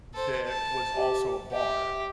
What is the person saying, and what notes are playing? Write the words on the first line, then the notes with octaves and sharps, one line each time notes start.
that was also a bar,
A4 C5
A5
G4
G4 E5